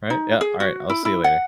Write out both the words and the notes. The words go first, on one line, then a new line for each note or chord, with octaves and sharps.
Alright, yeah, alright, I'll see you later.
D#4
G#4
F#4
E4
E4
F#5